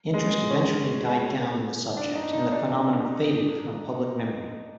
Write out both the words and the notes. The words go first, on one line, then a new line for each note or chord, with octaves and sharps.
Interest eventually died down in the subject and the phenomenon faded from public memory.
G#3
C#4
D4
D#4
D#4
D4